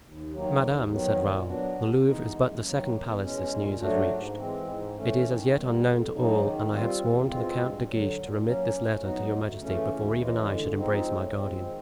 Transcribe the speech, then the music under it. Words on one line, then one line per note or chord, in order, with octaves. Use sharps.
"Madame," said Raoul, "the Louvre is but the second palace this news has reached; it is as yet unknown to all, and I had sworn to the Count de Guiche to remit this letter to your majesty before even I should embrace my guardian."
D#2
D#3 F#3 A#3
D#2
D#3 F#3 B3
A#2
F#3 B3 D4 F#4
C3
E3 G#3 B3 D#4
F#2
D#3 F#3 A#3
E2
B2 G#3 C#4
A#2
F#3 A3 D4 F#4
G#2
E3 G#3 C4
G#2
E3 A3 C#4
D#3
G3 B3
F2
C#3 F#3 A#3 D#4
D#3
G3 C4 F4
E2
B2 G#3 C4 F4
G2
D3 F#3
A#2
F#3 A#3 C#4
A2
F#3 B3 D#4 F#4
D2
C#3 E3 A3 C#4
D2
C#3 E3 G#3
D3
F3 G#3 C4 D#4
A2
F3 G#3 C4
D#3